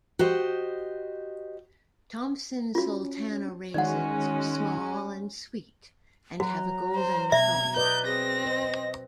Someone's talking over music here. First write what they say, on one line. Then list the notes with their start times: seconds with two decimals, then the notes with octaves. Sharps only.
Thompson sultana raisins are small and sweet, and have a golden colour.
0.19 F#4 G4 C5 D#5
2.75 C#4 F4 F#4
3.74 D#3 G#3 C#4 D#4 F#4 D5 F#5
6.40 F#3 F#4 F#5 A#5
6.95 C5
7.32 B2 E5 G#6
7.76 B4 D5 D#5 G6
8.06 C4 G#4 A#6
8.45 C5 D#5